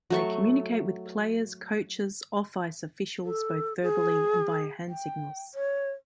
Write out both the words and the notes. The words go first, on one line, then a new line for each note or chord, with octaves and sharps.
They communicate with players, coaches, off-ice officials, both verbally and via hand signals.
F#3 A3 C#6
A4
G#4
G5
C#5